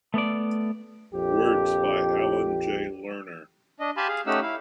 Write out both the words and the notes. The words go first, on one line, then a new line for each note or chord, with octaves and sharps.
Words by Alan Jay Lerner.
A3 B3 A4 D5
A#1 F2 G4
D4 D#5
G4 F5 G#5 A5 B5 C6
G#4 F5
A3 C#4 D#4 G4 F#5 E6
E4 F5